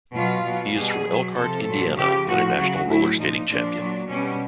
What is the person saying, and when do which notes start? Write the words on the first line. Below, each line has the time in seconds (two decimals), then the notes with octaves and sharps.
He is from Elkhart, Indiana and a national roller skating champion.
0.15 B2 F#3 F4
0.45 B2 F#3
0.75 B2 G3 G#4
1.06 B2 F#3
1.36 C3 F3 A4
1.66 A#2 F#3
1.97 C#3 F3 G4
2.27 A2 F3 F#4
2.57 C#3 F#3 F#4
2.88 A2 F#3 E4
3.18 A#2 F3 D#4
3.49 A#2 F3 D4
3.79 A#2 F#3
4.09 B2 G3 C#4